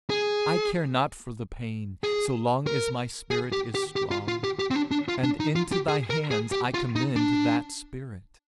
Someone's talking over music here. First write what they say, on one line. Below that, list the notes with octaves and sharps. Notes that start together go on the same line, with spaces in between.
I care not for the pain, so long as my spirit is strong, and into thy hands I commend that spirit.
G#4
G#4
A#4
G#4
G4
G4
G4
F4
F4
G4
G4
C4
D4
D4
F4
D4
D#4
F4
G4
G#4
A#4
G#4
G4
F4
D#4
D4